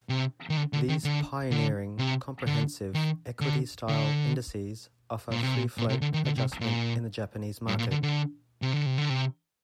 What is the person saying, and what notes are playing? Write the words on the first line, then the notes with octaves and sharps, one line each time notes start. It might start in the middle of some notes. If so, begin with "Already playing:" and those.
These pioneering, comprehensive, equity style indices offer free-float adjustment in the Japanese market.
C3
D#3
D3
D3
D#3
D3
D3
C3
D3
D#3
D3
D3
A#2
C3
A#2
A#2
C3
D3
D#3
D3
C3
A#2
G2
A#2
D3
D3
C3
D3
C3
D3
C3